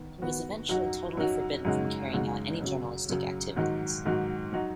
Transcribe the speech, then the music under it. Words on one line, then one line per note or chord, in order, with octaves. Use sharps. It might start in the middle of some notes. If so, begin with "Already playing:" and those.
He was eventually totally forbidden from carrying out any journalistic activities.
Already playing: D#3 B3
D#3 B3 F#4
F#2 F#3 D#4 F#4
F#2 F#3 D#4 F#4
F#2 C#3 G#3 D#4 F#4
F#2 C#3 G#3 D#4 F#4
F#2 C#3 F#3
F#2 C#3 F#3
G#2 D#3 F#3 D#4 F#4
G#2 D#3 F#3 D#4 F#4
F#3 D#4 F#4